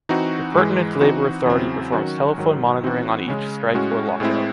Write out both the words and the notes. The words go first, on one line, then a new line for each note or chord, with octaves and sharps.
The pertinent labor authority performs telephone monitoring on each strike or lockout.
E3 C4 D#4 F#4
G#2 E3 G#3
E3 C4 D#4 F#4
E2 C#3 F#3 C4 E4
D#3 F#3 C#4 F#4
G#2 D#3 F#3
E3 C4 D#4 F#4
C#3 G#3 C#4
A2 G#3 C#4 F#4
A2 G#3 C4 E4